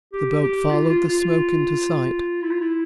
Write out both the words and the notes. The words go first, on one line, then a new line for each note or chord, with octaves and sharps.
The boat followed the smoke into sight.
G4
G4
F4
F4
F4
E4
F4
E4